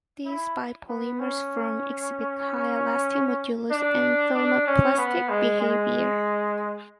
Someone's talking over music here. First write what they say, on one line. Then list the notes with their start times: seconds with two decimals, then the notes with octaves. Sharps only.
These biopolymers form exhibit high elastic modulus and thermoplastic behavior.
0.25 E4
0.89 B3
1.20 C#4
3.71 D4
4.34 D4
4.67 C#4
4.98 B3
5.29 G#3
5.61 G#3